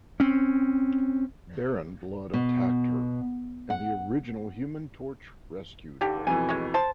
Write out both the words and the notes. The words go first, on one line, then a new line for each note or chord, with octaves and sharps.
Baron Blood attacked her, and the original Human Torch rescued her.
C4 C#4
B2
F#5
D#2 D3 G4
F2 B2 E3 G#5
G#3 C#4
C5 A5